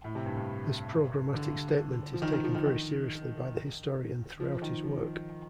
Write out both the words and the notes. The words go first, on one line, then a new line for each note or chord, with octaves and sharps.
This programmatic statement is taken very seriously by the historian throughout his work.
A2
C3
G2
G2
D3
F3
D#3
D#3
F3
D#3
D#3
F3
D#3
F3